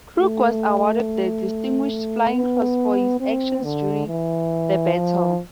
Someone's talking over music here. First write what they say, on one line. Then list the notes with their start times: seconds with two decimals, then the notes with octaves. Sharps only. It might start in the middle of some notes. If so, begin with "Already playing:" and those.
Crook was awarded the Distinguished Flying Cross for his actions during the battle.
0.18 A3
2.34 B3
3.21 C4
3.64 D3
4.07 E3
4.94 F3